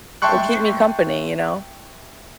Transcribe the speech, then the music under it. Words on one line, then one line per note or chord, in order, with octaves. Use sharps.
it'll keep me company," you know?
E5 G5 A5 C6 C#6 F#6